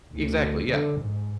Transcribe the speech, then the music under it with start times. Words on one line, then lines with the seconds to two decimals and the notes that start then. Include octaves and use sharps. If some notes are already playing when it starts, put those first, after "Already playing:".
Exactly, yeah.
0.13 D2
0.68 D3
1.00 G#2